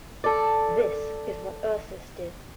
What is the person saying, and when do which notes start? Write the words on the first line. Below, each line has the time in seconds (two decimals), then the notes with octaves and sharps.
This is what Ursus did.
0.24 A4 D5